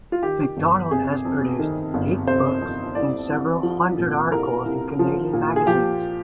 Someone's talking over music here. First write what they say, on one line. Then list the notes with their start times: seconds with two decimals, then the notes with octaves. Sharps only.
MacDonald has produced eight books and several hundred articles in Canadian magazines.
0.12 F4
0.23 D#3 G4
0.57 G1
0.91 C3 G#4
1.25 F2
1.59 D#3
1.94 G1
2.27 C3 C5
2.61 F2
2.95 C2 D5
3.29 C2
3.63 F3
3.98 A#2
4.32 C2 A#4
4.65 C2
4.99 F3
5.33 A#2
5.56 G#4
5.67 F3 G4